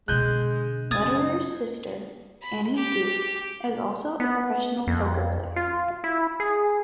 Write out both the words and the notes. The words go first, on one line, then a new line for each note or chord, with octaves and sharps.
Lederer's sister, Annie Duke, is also a professional poker player.
B2 D3 G#3 F#6 G6
F#2 C#3 D#6 G#6 A6
B5
G4
B3
F2
F4
E4
G#4